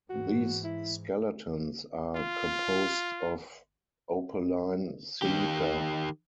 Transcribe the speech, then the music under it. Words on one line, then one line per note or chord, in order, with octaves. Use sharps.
These skeletons are composed of opaline silica.
G#2 E3 F#4
E4
F4
D#3 G4